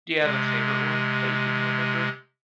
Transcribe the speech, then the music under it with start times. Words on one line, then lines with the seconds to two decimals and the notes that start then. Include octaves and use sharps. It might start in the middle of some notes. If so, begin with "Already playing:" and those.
Do you have a favorite one that you can remember?
0.22 C3 G#3